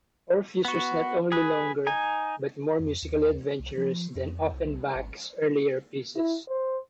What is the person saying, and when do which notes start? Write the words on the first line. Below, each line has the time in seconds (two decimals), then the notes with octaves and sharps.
"Orpheus" was not only longer, but more musically adventurous than Offenbach's earlier pieces.
0.65 B3 F#4
1.32 G#4 B4
1.87 D#4 G#5
2.80 F2
3.03 D#2
3.60 C2
3.78 F3
4.15 F2
4.53 C2
4.95 G#1
6.16 E4
6.49 C5